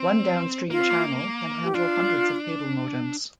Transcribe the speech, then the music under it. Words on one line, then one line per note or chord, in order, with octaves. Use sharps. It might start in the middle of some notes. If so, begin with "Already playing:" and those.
One downstream channel can handle hundreds of cable modems.
Already playing: C4
A#3 F4
C4
A#3
G4
D4 F4